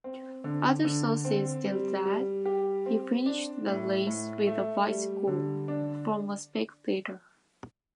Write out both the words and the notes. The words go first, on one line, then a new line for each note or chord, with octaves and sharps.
Other sources tell that he finished the race with a bicycle from a spectator.
C4
D3
D3
C4
G3
G3
G4
C4
D4
A2
A2
A3
G3
D3
D4